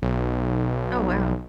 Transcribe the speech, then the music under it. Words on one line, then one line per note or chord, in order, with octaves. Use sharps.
Oh, wow.
B1